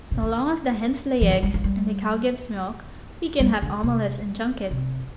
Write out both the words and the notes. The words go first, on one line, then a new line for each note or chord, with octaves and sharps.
So long as the hens lay eggs and the cow gives milk we can have omelettes and junket.
C3
D3
F3
D3
G3
F3
G3
G3
D3
C3
C3